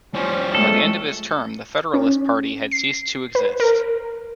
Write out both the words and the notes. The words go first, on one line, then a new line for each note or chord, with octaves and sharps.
By the end of his term the Federalist Party had ceased to exist.
F3 G3 C#4
G#3 A3 A4
C#4
C7
B4
A#4